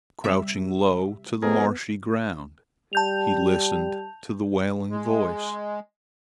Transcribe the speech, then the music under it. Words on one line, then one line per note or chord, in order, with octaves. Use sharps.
Crouching low to the marshy ground, he listened to the wailing voice.
C3 G3 E5
F2 B3 G#4 A#4
G3 A5 G6 F7
G#3